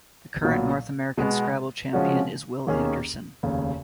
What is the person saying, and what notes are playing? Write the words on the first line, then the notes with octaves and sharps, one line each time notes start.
The current North American Scrabble Champion is Will Anderson.
B1 A#2 F#3 B3
B2 G#3 B3 F#4
C#3 F3 G#3 C#4 F#4
D#2 D#3 A#3 C#4 G#4
F1 D#2 C#3